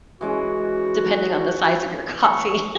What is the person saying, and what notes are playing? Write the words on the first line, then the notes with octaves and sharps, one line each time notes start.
depending on the size of your coffee.
E3 G#3 C#4 F#4
C#6